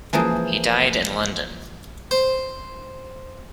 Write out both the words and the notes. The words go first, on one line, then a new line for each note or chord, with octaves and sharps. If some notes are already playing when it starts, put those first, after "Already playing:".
He died in London.
E3 F3 A#3 G#4
C5